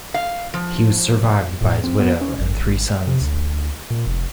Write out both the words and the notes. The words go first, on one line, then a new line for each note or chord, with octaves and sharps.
He was survived by his widow and three sons.
F5
F3
A2
C4
B3
C#4
G#1
C3
D2
A#2
F1